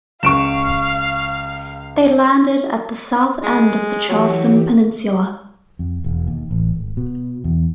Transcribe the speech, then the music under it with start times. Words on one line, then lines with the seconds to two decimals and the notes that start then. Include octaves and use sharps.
They landed at the south end of the Charlestown peninsula.
0.23 C#2 F5 C#6 D7 E7
3.43 G#3
4.09 E3 F#3 G4
5.79 F2
6.04 E1
6.28 D#2
6.51 A1
6.75 G#1
6.97 B2
7.44 E2